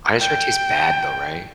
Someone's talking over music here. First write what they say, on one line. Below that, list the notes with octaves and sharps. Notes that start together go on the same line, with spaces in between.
I sure it tastes bad, though, right?
G5